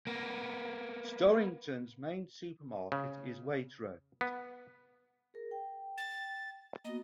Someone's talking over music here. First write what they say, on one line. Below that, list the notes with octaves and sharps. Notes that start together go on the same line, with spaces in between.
Storrington's main supermarket is Waitrose.
A#3 B3
C#3
B3
G#4 A#4
G5
A6
A#3 B3 F#4 D#5